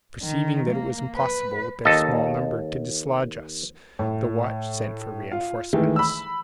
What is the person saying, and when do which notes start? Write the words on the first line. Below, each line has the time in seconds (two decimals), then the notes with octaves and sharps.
Perceiving that it was impossible with their small number to dislodge us, the watch sent for reinforcements.
0.22 D#3
0.71 A#3
1.16 B4
1.85 D#2 A4 D#5
3.99 A2
5.31 F4 F5
5.73 D#3 E3 G#3 A3
5.96 B5 E6